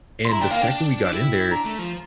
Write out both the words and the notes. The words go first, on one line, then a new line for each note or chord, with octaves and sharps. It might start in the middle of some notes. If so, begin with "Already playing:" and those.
And the second we got in there,
C6
E4 A#5
D4 G5
A#3 F5
D4 G5
D4
E4
D4 A#5
A3
F3